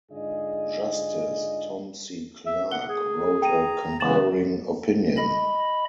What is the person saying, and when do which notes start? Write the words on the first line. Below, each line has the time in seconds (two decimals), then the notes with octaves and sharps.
Justice Tom C. Clark wrote a concurring opinion.
0.11 G#2 D3 F4 G#4 D5 D#5
2.46 E5
2.71 F#5 G7
2.89 G#4
3.42 G5 A#5 D#7
4.00 C#3 E3 G#3 B3 A6 E7 F#7
5.17 D#5 B5